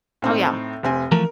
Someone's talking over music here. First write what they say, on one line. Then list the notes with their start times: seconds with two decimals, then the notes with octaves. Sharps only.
Oh yeah,
0.22 A2 C4 D#4
0.83 F1 C4 G#5
1.12 E3 F3 A3 A#4